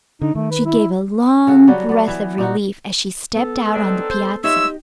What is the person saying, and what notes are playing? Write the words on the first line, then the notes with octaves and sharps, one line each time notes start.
She gave a long breath of relief as she stepped out on the piazza.
D3 D#4
D#3 A3
B4
E4
C#3 F#4 A4
F#3 G3 C#4 F#4
B3 D5
E3
A#2 D#4 F#4
B3 A4
C4 D4 D#4
C5
D#4 F4 G4 C#5 D#5 E5 E6